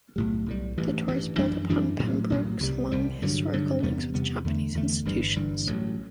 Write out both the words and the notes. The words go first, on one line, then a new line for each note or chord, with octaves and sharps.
The tours build upon Pembroke's long historical links with Japanese institutions.
B1 A2 G3
B1 A2 G3
A1 G2 E3
A1 G2 E3
F#2 E3 G3 D4
F#2 E3 G3 D4
A1 A2 F#3
A1 A2 F#3
C2 C3 G3
C2 C3 G3
G2 D3 F#3
G2 D3 F#3
E2 C3 G3 B3
E2 C3 G3 B3
E2 D3 A3
E2 D3 A3
G1 G2 E3 G3
G1 G2 E3 G3
A1 A2 F#3